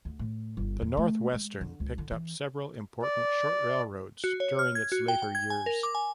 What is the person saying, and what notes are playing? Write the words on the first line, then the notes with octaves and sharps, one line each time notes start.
The North Western picked up several important short railroads during its later years.
D2
A2
G1
E2
A3
G#3
D3
C#2
D3
E3
D5
F#4
C#5
F6
G#6
F#4
G5
G5
G#6
G#5
A#4
D6
G#5